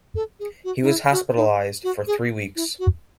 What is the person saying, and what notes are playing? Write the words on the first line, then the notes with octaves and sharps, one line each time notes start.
He was hospitalized for three weeks.
A4
G#4
F#4
D#4
E4
F#4
D#4
F#4
G#4
E4
F#4